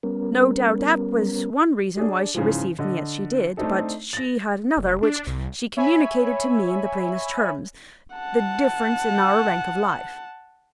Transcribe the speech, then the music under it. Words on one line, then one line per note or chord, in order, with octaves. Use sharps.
"No doubt that was one reason why she received me as she did; but she had another, which she communicated to me in the plainest terms--the difference in our rank of life."
G3 B3 C#4 A#4
D4 G#4
G#2 C#3 E3 F3
D3 D#5
A3 C4 D4 D#4 A4
A6 A#6
F1
D4
C2
C#5 E5 G#5 B5
F#5 A5